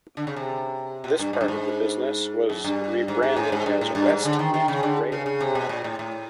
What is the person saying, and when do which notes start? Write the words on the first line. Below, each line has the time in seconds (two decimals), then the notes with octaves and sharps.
This part of the business was rebranded as WestNet Rail.
0.17 D3
0.27 C#3
0.36 C3
1.04 B2
1.19 G2
1.33 G#2
1.41 G2
1.48 G#2
2.50 F#2
2.64 G2
3.08 G#2
3.23 G#2
3.36 A2
3.52 G#2
3.66 G2
3.81 A2
3.95 G2
4.10 G#2
4.25 D3
4.39 D#3
4.54 D#3
4.68 C#3
4.83 D3
5.12 C#3
5.26 C#3
5.41 C3
5.55 B2
5.69 A#2
5.84 A2
5.99 A2